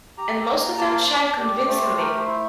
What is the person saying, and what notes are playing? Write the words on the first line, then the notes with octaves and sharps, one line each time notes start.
And most of them shine convincingly.
G4 A#5
A#3
A#3 A5
A#4
C5
D4 D5
G4 D5
D5
A3 C5
A3 A#4
C5
E4